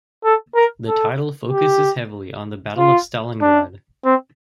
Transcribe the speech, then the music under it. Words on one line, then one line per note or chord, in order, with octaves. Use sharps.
The title focuses heavily on the Battle of Stalingrad.
A4
A#4
A4
G4
F4
D4
C4